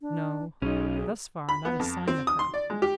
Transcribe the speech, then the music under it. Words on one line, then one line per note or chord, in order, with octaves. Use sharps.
No; thus far, not a sign of her.
D4
B1 C#4 D#4 G#4
G#4
B5
B3
F2
C4
D#6
C6
D5
G#3
G4